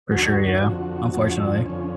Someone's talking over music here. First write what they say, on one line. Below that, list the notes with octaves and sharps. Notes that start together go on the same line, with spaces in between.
For sure, yeah, unfortunately.
D#2 D3 F#3 F#4
F2 D3 F3
F2 D3 F3
F2 D3 F3 C#4